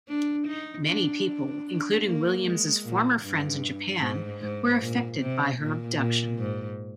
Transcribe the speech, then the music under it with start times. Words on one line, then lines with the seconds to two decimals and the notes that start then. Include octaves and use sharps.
Many people, including Williams' former friends in Japan, were affected by her abduction.
0.08 D4
0.47 D#4
0.87 D4
1.26 D4
1.66 D4
2.05 A#3
2.44 G#3
2.84 A#2
3.23 G2
4.01 G#2
4.41 G#2
4.81 A#2
5.20 C3
5.59 A#2
5.99 A#2
6.39 G#2